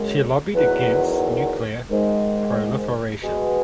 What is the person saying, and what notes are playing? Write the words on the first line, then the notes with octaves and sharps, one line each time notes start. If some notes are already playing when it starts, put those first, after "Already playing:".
She lobbied against nuclear proliferation.
Already playing: F#2 C#3 G#3
E2 D#3 F#3 B4
G#2 D#3 G#3
B2 G#3